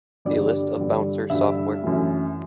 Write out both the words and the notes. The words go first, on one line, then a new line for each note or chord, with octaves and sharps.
A list of bouncer software.
G2 D3 G3 D5
G2 D3 G3
G2 D3 G3 E5
F#2 E3 A3